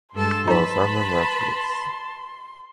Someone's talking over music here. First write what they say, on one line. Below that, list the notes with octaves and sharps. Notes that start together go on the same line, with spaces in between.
Lausanne naturals.
G2 G#3 A4 A5 C6
F3 D#4 B4 A5 B5